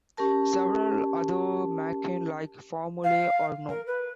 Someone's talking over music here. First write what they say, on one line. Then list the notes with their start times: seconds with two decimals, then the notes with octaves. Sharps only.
Several other Machin-like formulae are known.
0.17 C#4 G4 A#4 A5
3.04 F5
3.69 A#4
3.86 B4